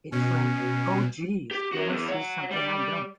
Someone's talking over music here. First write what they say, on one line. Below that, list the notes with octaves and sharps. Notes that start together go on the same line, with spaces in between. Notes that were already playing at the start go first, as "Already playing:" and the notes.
It's like 'oh geez they must see something I don't'.
B2 C#4
G4
F#4 A#4
E2
C#5 F#5
G3 D5